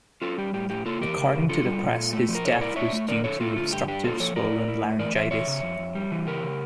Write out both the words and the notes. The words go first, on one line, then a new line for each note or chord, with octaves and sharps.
According to the press his death was due to obstructive swollen laryngitis.
C#4 F4 A4
G3 G4
A2 G4
A2 G4
A#3 F4 A4
E3 G4 A#4
C#3
C#3
D4 F4 A4
G3
A#2
A#2
A3
F3
A#4
A#2 A4 C#5
E4 A#4 D5
D4 C#5 E5
A3
D3 A#4 D5
D3 A4 C#5
A3 F4 A4
D3 F4
G2 G4
D4 G4
A#3 F4 A4
F3 A4 C#5
A2 A#4 D5
E4
E4
A3
E3 A#4 D5
E3 C#5 E5
E3 C#5 E5
C#3
F2
F2
G3
E3
C#3 G4 A#4
C#3